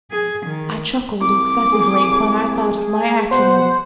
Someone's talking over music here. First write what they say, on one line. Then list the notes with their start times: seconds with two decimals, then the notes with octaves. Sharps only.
I chuckled excessively when I thought of my acumen.
0.12 G#4
0.46 D#3
1.21 C2 D6
1.73 G#4
2.94 G#5
3.31 B2 C5 F#5